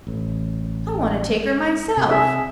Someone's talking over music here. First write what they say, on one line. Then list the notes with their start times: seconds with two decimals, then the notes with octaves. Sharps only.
"I want to take her myself."
0.07 A1
1.27 G#3
1.97 C3
2.09 G#4 E5